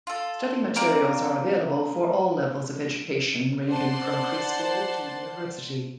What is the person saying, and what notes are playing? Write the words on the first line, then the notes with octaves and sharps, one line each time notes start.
Study materials are available for all levels of education ranging from preschool to university.
F4 A4
A#3 C4 A#4 D5
C5 D5 F#5 A5 C6